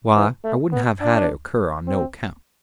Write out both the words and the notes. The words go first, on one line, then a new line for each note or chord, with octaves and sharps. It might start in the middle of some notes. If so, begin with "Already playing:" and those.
Why, I wouldn't have had it occur on no account.'
E3
A3
B3
D4
C4